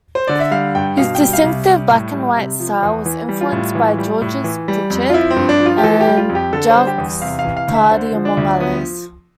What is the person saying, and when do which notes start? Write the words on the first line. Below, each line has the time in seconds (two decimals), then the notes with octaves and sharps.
His distinctive black-and-white style was influenced by Georges Pichard and Jacques Tardi, among others.
0.15 C5
0.27 D3 D5
0.40 E5
0.51 G3 F5
0.75 G2 G5
0.97 B2 F5
1.15 G5
1.21 G3
1.33 F5
1.44 C2
1.68 G3
1.91 A2
2.13 G3
2.36 C3
2.60 F3
2.83 E2
3.06 E3
3.29 G3
3.41 F4
3.52 A2
3.75 E3
3.98 G3
4.22 A2
4.44 E3
4.68 G3
4.90 F2
5.10 F4
5.13 F3 E4
5.31 C4
5.36 G2
5.49 D4
5.60 F3
5.66 F4
5.78 G4
5.83 E3 A4
6.01 G4
6.07 G3
6.17 F4
6.29 F2
6.35 G4
6.53 D3 A4
6.70 C5
6.76 G3
6.87 G4
6.98 E2
7.22 C3 F5
7.39 F5
7.45 E3
7.57 F5
7.68 D2
7.74 E5
7.90 D3 C5
8.14 F3
8.25 D4
8.37 D2
8.60 F3 B3